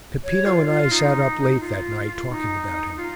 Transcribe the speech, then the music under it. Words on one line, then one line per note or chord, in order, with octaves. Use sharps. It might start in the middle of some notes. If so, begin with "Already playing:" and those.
Peppino and I sat up late that night talking about him.
C#5
F4
F4
D#4
F4
D#4
F4